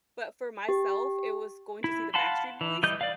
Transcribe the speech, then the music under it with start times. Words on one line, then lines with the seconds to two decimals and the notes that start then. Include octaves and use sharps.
but for myself, it was going to see The Backstreet Boys,
0.69 G4
1.84 E4
2.14 F5 F#5 A5 B5 C6
2.61 E3
2.83 E3 G3 D#5 G6
3.01 D5 F5